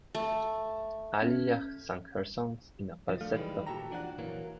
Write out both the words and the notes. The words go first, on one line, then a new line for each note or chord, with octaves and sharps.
Aaliyah sang her songs in a falsetto.
A3
C#4 G#6
F3
D3 A3 F5
D#3 E3 G3 G#3 B4
A#2 F#4 G4 A4 G5 A#5
E3 F3 D4 F#4 D5 F#5
A#2 E3 F#3 A#3